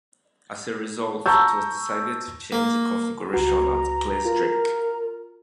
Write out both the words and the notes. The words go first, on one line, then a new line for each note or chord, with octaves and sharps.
As a result, it was decided to change the configuration at "Gleisdreieck".
A5 A#5 C#6 E6 G6
A#3
C#2 F#4 B4 A#5
F4 A#4